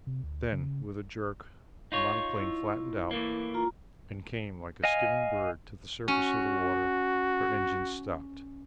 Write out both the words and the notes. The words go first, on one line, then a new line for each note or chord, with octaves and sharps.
Then with a jerk the monoplane flattened out and came like a skimming bird to the surface of the water; her engines stopped.
C3
D2
C#3
D#4 F4 C#5
E4
A2 E3 A#3
F4 A#5
D#5 F5 G#5
C#4 F#4